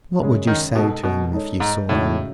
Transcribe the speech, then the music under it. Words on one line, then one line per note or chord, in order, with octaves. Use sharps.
"What would you say to him if you saw him?"
F#2 C#3 G#3 C#4 G#4
D#3
B2 G#3 D#4 A4
B2
G#3 D#4 A4 C#5
G#2
A2 C#3 G#3 D#4 F#4 C#5